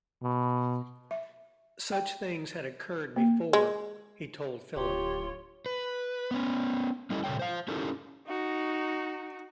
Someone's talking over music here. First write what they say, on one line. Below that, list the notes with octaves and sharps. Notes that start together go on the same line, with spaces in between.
Such things had occurred before, he told Philip.
B2
E5
G5
A#3
G#3
D1 F4 G4 C#5 C6
B4
B3 C#4
G3 C#4 E4 A4 D#5
A#2 C#3 A4 C#5 G5
C5 F5
C#4 D#4 E4 G4 A4 A#4
D#4 F#4